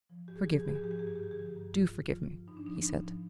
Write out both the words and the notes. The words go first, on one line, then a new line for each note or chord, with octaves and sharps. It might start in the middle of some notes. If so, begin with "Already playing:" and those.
"Forgive me--do forgive me," he said.
F3
G#2 G4
G#4
F3 G4
G#4
G4
G#2 G#4
G4
F3 G#4
G4
G2 G#4
G4
G#4
D3 G4
G#4
F3 G4
G2
G2 F4
D3
F3 F4
G2
G#2 D#4
D4
F3 D#4
D4
G#2 D#4
F3